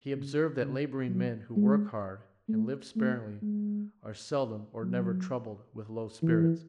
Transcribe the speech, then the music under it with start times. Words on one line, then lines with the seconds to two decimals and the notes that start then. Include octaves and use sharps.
He observed, that labouring men who work hard, and live sparingly, are seldom or never troubled with low spirits.
0.16 C#3
0.62 C#3
1.09 F#3
1.56 G#3
2.49 A3
2.96 A3
3.42 G#3
4.82 F#3
6.23 E3